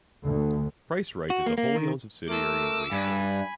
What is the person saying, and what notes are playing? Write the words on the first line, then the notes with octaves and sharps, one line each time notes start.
PriceRite is a wholly owned subsidiary of Wakefern.
D2
F#4
A#3
A#3
D#3
A3 A#4 D6 E6
G2 G#5 B5